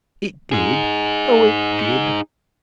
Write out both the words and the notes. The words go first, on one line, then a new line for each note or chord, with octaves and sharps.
It did, oh it did.
D#4 G#4